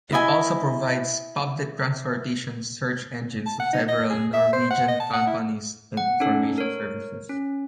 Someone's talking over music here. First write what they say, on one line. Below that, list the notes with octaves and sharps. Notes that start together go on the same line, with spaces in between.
It also provides public transportation search engines to several Norwegian companies and information services.
E4 D#5 E5 G#5
A5
F#5
D#4
D#5
G#4
E5
C5
F#5
D#5
A5
F#5
E4
F#5
C#4 D#4 A4
A#4 C#5
C#4